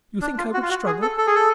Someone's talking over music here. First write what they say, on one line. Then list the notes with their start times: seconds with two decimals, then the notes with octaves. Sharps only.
You think I would struggle?
0.21 D4
0.38 F4
0.54 F#4
0.62 F4
0.70 F#4
0.86 G#4
1.02 A4
1.18 A4
1.27 G#4
1.35 A4